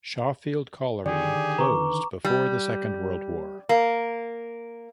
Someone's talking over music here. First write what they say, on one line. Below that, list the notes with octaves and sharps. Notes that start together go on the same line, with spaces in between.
Shawfield Colliery closed before the Second World War.
D3 D#3 G4 G#4 D5
B4 A#5 C#6 D6
G3
A#3